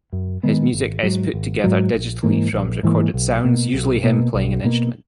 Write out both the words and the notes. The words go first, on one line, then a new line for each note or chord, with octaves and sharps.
His music is put together digitally from recorded sounds, usually him playing an instrument.
F#2
D#3 G#3 B3
G#1
G#2 F#3
G#1
G#2 F#3
A#1
G#2 E3 A#3
A#1
G#2 E3 A#3
B1
B2 A#3
B1
B2 A#3
B1
B2 A#3